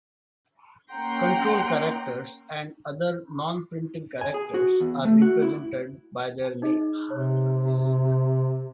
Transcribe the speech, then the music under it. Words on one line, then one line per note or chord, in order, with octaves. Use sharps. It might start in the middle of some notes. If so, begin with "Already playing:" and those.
Control characters and other non-printing characters are represented by their names.
A#3 C#4 F#5 G5 A#5 C6
G#5
G#4
F#4
E2
A3
F#4
E4
D#4 G#4 D#5
C3 C#5